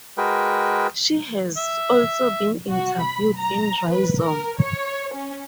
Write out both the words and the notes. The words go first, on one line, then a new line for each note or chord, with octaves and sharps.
She has also been interviewed in Rhizome.
G#3 F#4 G#4 A#4 B4 G5
E5
F#4
B5
A#5
B4
A#4
C#5
C#4